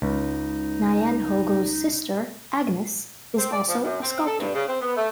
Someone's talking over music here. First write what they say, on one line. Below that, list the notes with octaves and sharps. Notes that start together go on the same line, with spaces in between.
Nyanhongo's sister Agnes is also a sculptor.
C#2 D#4
C4
D5
F3
F#2
C4
A4
G2
C#3
C4
B3
A3